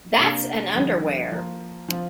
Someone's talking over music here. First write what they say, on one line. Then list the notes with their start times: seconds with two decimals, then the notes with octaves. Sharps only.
That's an underwear.
0.17 C3 A#3 D4 G4
0.75 F2 D3 G3
1.32 F3 A#3 F4
1.88 F3 C4 F4